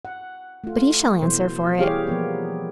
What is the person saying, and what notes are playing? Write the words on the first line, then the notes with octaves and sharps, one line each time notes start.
'But he shall answer for it.
F#5
A3 F4
B2 E3 C5
E3 G3 G4 G#4 C#5 F5
F3 A#3 B3